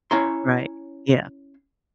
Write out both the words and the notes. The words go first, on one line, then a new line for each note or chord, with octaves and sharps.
Right. Yeah.
C#4 E4 C#5 A#5 C6